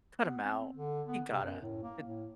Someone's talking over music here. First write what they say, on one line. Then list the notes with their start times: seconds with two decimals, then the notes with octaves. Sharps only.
cut 'em out. You gotta. It
0.22 B3
0.43 C4
0.73 D3
1.07 B3
1.30 C3
1.43 F#2
1.62 A2
1.83 A#3
2.05 A2